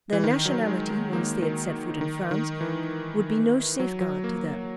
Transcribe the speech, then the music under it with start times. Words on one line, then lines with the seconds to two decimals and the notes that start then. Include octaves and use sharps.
Their nationality, once they had set foot in France, would be no safeguard to them.
0.13 E3
0.24 D#3
0.46 F#3
0.68 G#3
0.90 G#3
1.13 A#3
1.42 D#3
2.01 D#3
2.31 D#3
2.61 E3
3.80 F#3
4.01 F#3
4.24 A#3